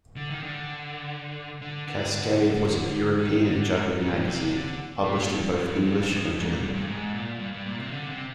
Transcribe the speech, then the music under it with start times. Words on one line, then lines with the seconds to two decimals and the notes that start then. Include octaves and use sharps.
"Kaskade" was a European juggling magazine, published in both English and German.
0.16 D3
0.30 D#3
0.43 D3
1.62 D3
1.88 D3
3.19 D#3
3.45 D3
3.71 G#2
3.98 G#2
4.11 A#2
4.24 C3
4.51 D3
5.03 A#2
5.22 G#2
5.29 G2
5.48 G2
5.55 F2
5.82 G2
6.08 F2
6.34 G#2
6.48 A#2
6.60 G2
6.73 G2
6.87 G#2
7.14 A#2
7.39 G2
7.53 G2
7.66 A#2
7.79 C3
7.91 D3
8.10 C3